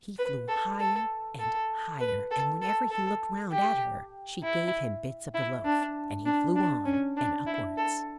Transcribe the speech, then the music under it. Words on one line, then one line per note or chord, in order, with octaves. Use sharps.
He flew higher and higher, and whenever he looked round at her, she gave him bits of the loaf, and he flew on, and upwards.
B4
A4
A4
A4
B4
A4
A4
A4
G4
E4
E4
D4
D4
D4
C#4
D4
E4
A4